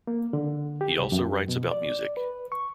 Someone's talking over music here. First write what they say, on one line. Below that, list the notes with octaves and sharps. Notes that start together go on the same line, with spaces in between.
He also writes about music.
A#3
D3
G4
C2
F#2
B2
D5
B4
C#6